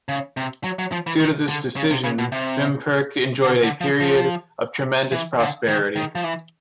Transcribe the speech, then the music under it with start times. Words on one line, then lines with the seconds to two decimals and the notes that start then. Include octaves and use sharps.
Due to this decision, Vimperk enjoyed a period of tremendous prosperity.
0.09 C#3
0.37 C3
0.64 F#3
0.79 F#3
0.92 F3
1.07 E3
1.20 D#3
1.49 D3
1.76 C#3
1.91 C3
2.04 C#3
2.18 B2
2.32 C3
3.44 D3
3.63 D3
3.81 F3
4.00 F3
5.12 E3
5.40 D3
5.68 D#3
5.96 D#3
6.15 F3
6.24 E3